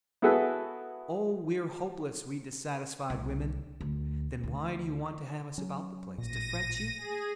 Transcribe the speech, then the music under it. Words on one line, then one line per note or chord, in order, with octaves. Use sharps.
Oh, we're hopeless, we dissatisfied women! Then why do you want to have us about the place, to fret you?
B3 E4 F#4 G#4 A4 B4
C2
D2
D2
F#3 C#4
A1 A#2 A#6 D#7
G#4